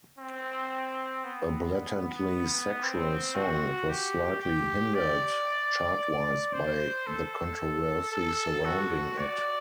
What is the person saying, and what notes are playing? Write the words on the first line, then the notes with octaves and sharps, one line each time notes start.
A blatantly sexual song, it was slightly hindered chart-wise by the controversy surrounding it.
C4
B3
C4
F#4
G4
G4
D5
C5
A4
A4
F#4
D5